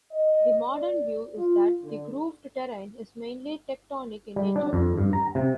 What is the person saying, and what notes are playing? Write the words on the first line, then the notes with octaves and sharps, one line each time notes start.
The modern view is that the grooved terrain is mainly tectonic in nature.
D#5
D5
F4
D3
G3
D4
F2
G2
A#5
C3